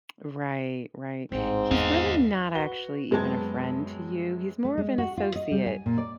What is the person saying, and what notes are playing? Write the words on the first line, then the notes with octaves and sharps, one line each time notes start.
Right. Right. He's really not actually even a friend to you. He's more of an associate,
A1 G#2 C4
E2 D#5 F5
F#4 B4 G7
F#2 G#3 B3 C4 A5 G#6
A3
G#3
F#4
F4
D#5
G3
G#5
A#2
D5